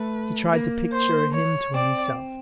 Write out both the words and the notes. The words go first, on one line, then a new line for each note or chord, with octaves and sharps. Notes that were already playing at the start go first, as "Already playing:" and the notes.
He tried to picture him to himself.
Already playing: A3 B4
A#3
C5
C#5
C4 D5